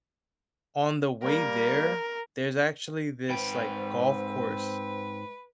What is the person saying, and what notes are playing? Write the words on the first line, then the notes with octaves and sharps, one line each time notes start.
on the way there, there's actually this, like, golf course,
G3 A#3 A#4
G#2 C4 B4 G5